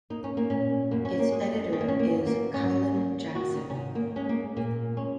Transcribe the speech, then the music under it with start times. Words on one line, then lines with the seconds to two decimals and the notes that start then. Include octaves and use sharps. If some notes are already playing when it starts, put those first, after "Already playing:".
Its editor is Kyeland Jackson.
0.10 A#3 D#4
0.24 C#4
0.37 A#3
0.50 A#2 C#4
0.91 F#2 A#3
1.05 C#4
1.19 A#3
1.32 G#3
1.72 D#3 C#4
1.81 A#3
1.88 C#4
1.99 A#3
2.13 F#2
2.27 A#3
2.53 G#2 C#4
2.94 A#3
3.35 D#3 F#4
3.55 D#4
3.70 C#4
3.75 G#2 D#4
3.95 A#3
4.16 G#3 C#4
4.29 A#3
4.56 A#2 A#3
4.97 G#3 C#4